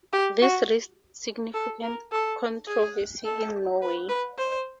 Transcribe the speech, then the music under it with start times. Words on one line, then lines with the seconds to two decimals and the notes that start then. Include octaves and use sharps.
This raised significant controversy in Norway.
0.13 G4
0.42 F#4
1.54 A4
1.83 A#4
2.12 A4
2.67 G#4
3.25 A4
3.81 B4
4.09 B4
4.38 C5